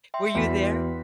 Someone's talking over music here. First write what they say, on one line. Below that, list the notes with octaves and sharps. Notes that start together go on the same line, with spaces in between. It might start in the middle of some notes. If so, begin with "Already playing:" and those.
Were you there?
E5 G5 C6
E2 F#4 B4 B6